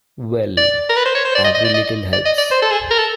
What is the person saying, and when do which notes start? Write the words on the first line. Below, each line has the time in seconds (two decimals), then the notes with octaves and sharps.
Well, every little helps.
0.58 D5
0.89 A#4
0.97 B4
1.06 C5
1.15 C#5
1.25 C5
1.35 D5
1.45 D#5
1.55 D#5
1.65 D5
1.74 D#5
2.13 D5
2.26 D#5
2.38 D5
2.52 C5
2.62 A4
2.72 G#4
2.91 A#4
2.98 A4